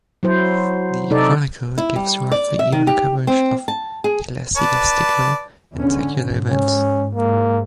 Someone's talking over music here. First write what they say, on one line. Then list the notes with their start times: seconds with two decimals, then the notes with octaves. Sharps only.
The "Chronicle" gives roughly even coverage of ecclesiastical and secular events.
0.23 F#3 E4 C5
1.10 C3 D#4 A4 D5
1.78 E4
1.96 G3
2.32 D5
2.59 E5
2.72 D#3
2.87 G4
3.27 C4
3.68 A5
4.04 G#4
4.57 B4 D5 A5
5.76 E2 D3 C#4
6.07 G#2
6.49 C#4
7.15 G#2 A#3